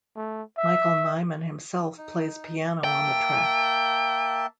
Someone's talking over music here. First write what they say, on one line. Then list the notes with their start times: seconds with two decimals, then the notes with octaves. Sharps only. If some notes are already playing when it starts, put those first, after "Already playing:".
Michael Nyman himself plays piano on the track.
0.16 A3
0.57 E5
1.97 D#4
2.84 A#3 E5 G5 A5